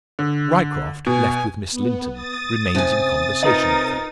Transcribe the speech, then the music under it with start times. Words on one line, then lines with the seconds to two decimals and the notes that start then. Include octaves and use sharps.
Ryecroft, left with Miss Linton, remains in conversation with her.
0.19 D3
1.06 B2 G#5
1.71 B3
2.12 D#6 A6
2.75 C3 C#4 D#4 G#5
3.43 D#4 F4 A#4 B4 D#5